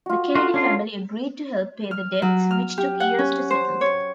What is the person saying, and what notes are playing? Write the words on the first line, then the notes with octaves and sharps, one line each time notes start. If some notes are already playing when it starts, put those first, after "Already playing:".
The Kennedy family agreed to help pay the debts, which took years to settle.
F4 F#4
F4 F#4 A4
C#4 D4 F4
F6
F#3
F6
G4
F#5
C#4
C5
C#5